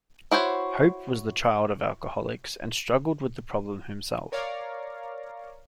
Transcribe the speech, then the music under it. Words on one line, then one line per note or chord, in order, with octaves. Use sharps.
Hope was the child of alcoholics and struggled with the problem himself.
E4 F#4 C5 C#5
A#4 C#5 D5 F5 A#5